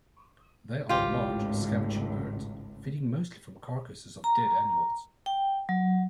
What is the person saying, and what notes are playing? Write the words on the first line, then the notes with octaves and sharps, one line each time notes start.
They are large scavenging birds, feeding mostly from carcasses of dead animals.
G#1 C#2 A2 F4 G4
A#5
G5
F#3